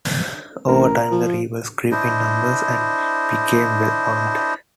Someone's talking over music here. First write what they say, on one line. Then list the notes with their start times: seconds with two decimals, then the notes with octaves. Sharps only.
Over time the rebels grew in numbers and became well armed.
0.68 A1 A#4
1.12 F3
1.91 D4 E4 C5 D#5